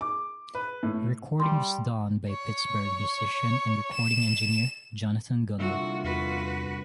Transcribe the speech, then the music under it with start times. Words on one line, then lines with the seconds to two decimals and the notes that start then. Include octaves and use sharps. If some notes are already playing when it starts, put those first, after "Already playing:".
The recording was done by Pittsburgh musician and recording engineer, Jonathan Gunnell.
0.01 D6
0.55 B4
0.83 A2
1.40 G3 C6
2.30 C#5
3.93 E7
5.59 C2 D3 F4 F#4 E5
6.04 E2 F#4 B4